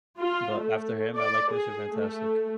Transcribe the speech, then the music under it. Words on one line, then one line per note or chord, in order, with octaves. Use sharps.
But after him, I like Mister Fantastic.
F4
A3
D5
G#4
A3